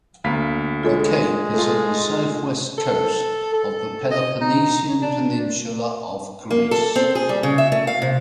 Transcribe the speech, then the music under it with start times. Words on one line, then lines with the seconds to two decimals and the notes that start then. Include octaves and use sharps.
The cape is on the south-west coast of the Peloponnesian peninsula of Greece.
0.24 D2 A#3 B3 F5 B6
0.83 G#3 F4 A4 C#5
1.54 A3 F4 A4
2.78 A4
3.53 A4
4.11 D#5
4.41 D#4
5.02 D4
6.51 A#3
6.71 A4
6.96 C4
7.15 G#4
7.29 G3
7.43 C#3
7.58 E5
7.72 A3
7.87 F5
8.02 C3